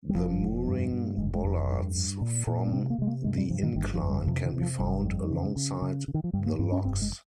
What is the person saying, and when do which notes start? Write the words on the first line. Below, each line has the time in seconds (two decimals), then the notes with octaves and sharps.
The mooring bollards from the incline can be found alongside the locks.
0.09 G3
0.15 F1 F3
0.41 F2
0.67 G2
0.92 G2
1.18 F1 G#3
1.35 G#3
1.44 F2
1.70 G2
1.95 G2
2.21 A#2
2.47 A#2
2.67 A#3
2.72 C3 C4
2.90 A#3
2.98 C3 G#3
3.07 A#3
3.24 G2 G#3
3.38 G3
3.50 G2 F3
3.63 D#3
3.75 G1 D#3
3.93 F3
4.01 F2
4.10 G3
4.27 C3 F3
4.45 D#3
4.53 C3
4.61 F3
4.79 G1 G3
5.05 F2
5.30 C#3
5.56 C#3
5.82 C#3
6.08 C#3
6.14 D#3
6.24 F3
6.33 G2 G3
6.46 A#3
6.59 G2 C4
6.72 C#4
6.85 F1 C4
7.02 G#3